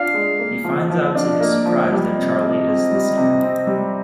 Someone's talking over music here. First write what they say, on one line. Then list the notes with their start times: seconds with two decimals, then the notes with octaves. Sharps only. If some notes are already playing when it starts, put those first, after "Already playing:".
He finds out to his surprise that Charlie is the singer.
Already playing: D4 F4 F5
0.14 G#3
0.39 A#3
0.64 F3
0.90 F3
1.15 D4 F5
1.33 D#5
1.41 A#3
1.53 D5
1.66 F3
1.72 D5
1.90 G3 D#5
2.15 C3
2.42 C3
2.67 C4
2.92 G3
3.17 C3
3.43 C4
3.67 G3